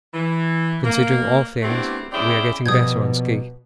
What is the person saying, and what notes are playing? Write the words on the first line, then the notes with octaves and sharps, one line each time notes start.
Considering all things, we are getting better on ski.
E3
A#3
A3 B3 C4 D4 E4 G4
C4 C#4 E4 G#4 D5 G5
B2 F3 G3 A#3 D#6 G6 G#6